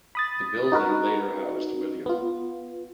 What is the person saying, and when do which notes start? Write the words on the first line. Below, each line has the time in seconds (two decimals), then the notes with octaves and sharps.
The building later housed Wm.
0.15 B5 D#6 A6
0.72 D#4 F#4 A#4 B4
2.06 B3 F4